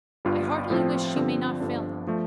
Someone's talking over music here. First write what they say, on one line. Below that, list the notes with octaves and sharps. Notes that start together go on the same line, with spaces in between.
I heartily wish you may not fail them.
G1 G2 G3 F4
A2 F3 C4 F4
G2 D3 F3 C4
G1 G2 D3 F3 D4
F3 A3